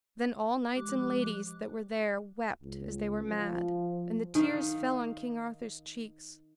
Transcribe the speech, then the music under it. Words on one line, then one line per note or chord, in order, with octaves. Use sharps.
Then all knights and ladies that were there wept as they were mad, and the tears fell on King Arthur's cheeks.
F3 G#3 G4 D6 F#6
C#2
F3
D#3 F5